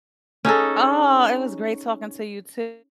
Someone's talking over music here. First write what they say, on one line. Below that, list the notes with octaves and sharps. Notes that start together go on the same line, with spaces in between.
Aw, it was great talking to you too.
C#4 D#4 G#4 A4